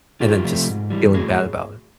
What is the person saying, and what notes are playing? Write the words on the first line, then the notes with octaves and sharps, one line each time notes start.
and then just feeling bad about it.
E2 F4 G4
C3 F3 A3
G#2
E3 G3
A2 F#4 G#4